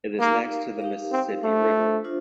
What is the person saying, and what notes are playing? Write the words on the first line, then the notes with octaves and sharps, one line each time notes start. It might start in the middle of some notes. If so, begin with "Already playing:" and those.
It is next to the Mississippi River.
A#3 D#4 G4 A#4 F5
D#4 G4 A#4 F5
C4
A3 D4 F4 C5
D4 F4 C5